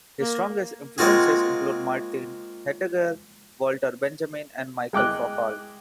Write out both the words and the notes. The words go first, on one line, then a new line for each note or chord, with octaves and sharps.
His strongest influences include Martin Heidegger, Walter Benjamin and Michel Foucault.
A#3
G#3 A#3 C4 F4 F#4 G#4
G#3 G5 D6 F#6